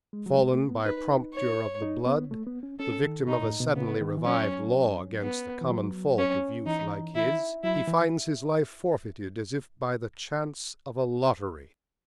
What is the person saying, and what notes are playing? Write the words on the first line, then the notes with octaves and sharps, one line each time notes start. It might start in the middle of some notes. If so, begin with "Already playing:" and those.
Fallen by "prompture of the blood," the victim of a suddenly revived law against the common fault of youth like his, he finds his life forfeited as if by the chance of a lottery.
G#3
F#3
G#3
A3
B3
D#4 B4
C#5
D#4
B3
A3
B3
C#4
C#4 A4
D#3
B2 D#4
A2
B2
C#3 B3
D#3
E3
F#3 C#4
B3
E3
F#3
C#4
E3 D#4
E4
F#3 E4
E3